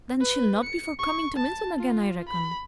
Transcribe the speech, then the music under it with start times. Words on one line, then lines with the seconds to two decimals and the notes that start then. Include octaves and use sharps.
'Then she'll not be for coming to Milton again, I reckon.'
0.20 B4
0.64 C#7
0.99 C#6
1.36 A5
1.78 F4
2.29 B5